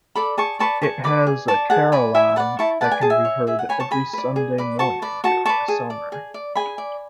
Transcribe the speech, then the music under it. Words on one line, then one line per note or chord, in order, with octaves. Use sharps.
It has a carillon that can be heard every Sunday morning during the summer.
A4 D5 B5 D6
G#4 A5 C#6
B4 D5 A5 C#6
G#4 A5 C#6
B4 D5 B5 D6
G#4
D5 A5 C#6
G#4 F#5 A5
D5 G#5 B5
E4 E5 G#5
B4 D5 F#5 A5
E4 A5 C#6
B4 D5 F#5 A5
G#5
G#4 A5
E5 G#5
C#5
G#4 E5
F#5
C#5 G#5 B5
A5 C#6
G#4 G#5 B5
B4 D5
G#4
B4 D5
F#4 A5 C#6
B4 D5
F#4 A5 C#6
B4 D5 A5 C#6
G#4
D5
G#4
D5
G#4 G#5 B5
D5